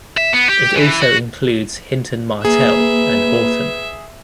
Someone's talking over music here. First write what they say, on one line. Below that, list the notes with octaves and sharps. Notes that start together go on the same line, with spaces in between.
It also includes Hinton Martell and Horton.
E5
B3
G4
E3
F#4
A#3 G#4 B4 E5